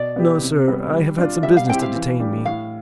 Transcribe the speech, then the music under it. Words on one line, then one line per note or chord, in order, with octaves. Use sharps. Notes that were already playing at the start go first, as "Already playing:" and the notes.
"No, sir; I have had some business to detain me."
Already playing: B2 D5
B3 E4 G4
C3
G3 B3
G3
D4 F4
G3 E5
F5
C4 E4 G4 G5
F5
E3
G3 D4 G4
A2 F5